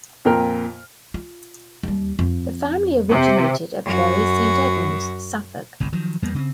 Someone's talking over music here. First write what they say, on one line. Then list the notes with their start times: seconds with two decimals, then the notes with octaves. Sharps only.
The family originated at Bury Saint Edmunds, Suffolk.
0.25 F2 A#2 A#4 G5 F6
1.14 F4
1.83 D#2 G3
2.19 F2
3.11 C3
3.85 F#2 F#4
5.80 G1 C2 G#2
5.93 D#3 F3 F#3
6.22 E2 G3 A#3 B3
6.34 C#3 B3 C4